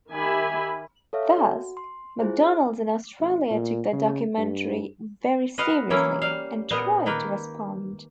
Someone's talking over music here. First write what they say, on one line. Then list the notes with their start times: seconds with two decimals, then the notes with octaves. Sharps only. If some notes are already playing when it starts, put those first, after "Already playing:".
Thus, McDonald's in Australia took that documentary very seriously, and tried to respond.
0.11 D#3 G4 E5 G#5 B5
1.13 A4 C#5 E5 F5
1.38 F#4
1.77 C6
2.20 E4 F4 G#4 C5
3.19 G#1
3.50 A#2
3.92 C#3
4.38 G2
5.58 F#4 B4 D#5 F5
5.90 E3 F#3 A#3 C#4 E4
6.22 G3 F5
6.70 A#2 B3 D#5 F5
7.06 D#3 A#3 B4